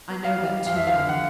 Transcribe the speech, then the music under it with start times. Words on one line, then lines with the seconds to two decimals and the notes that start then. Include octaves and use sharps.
I know that too well.
0.10 B3
0.24 F5
0.38 G3
0.66 F2 F5
0.76 E5
0.87 F5
0.95 D3
1.09 F#5